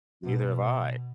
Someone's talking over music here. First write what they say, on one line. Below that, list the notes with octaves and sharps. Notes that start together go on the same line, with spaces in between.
Neither have I.
B2